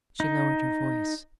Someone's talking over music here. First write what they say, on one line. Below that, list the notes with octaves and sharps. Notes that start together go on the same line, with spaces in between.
She lowered her voice.
D#4